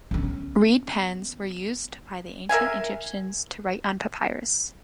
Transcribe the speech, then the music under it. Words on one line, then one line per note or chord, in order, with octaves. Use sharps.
Reed pens were used by the ancient Egyptians to write on papyrus.
B3 C#4
A#4 E5 F5 G#5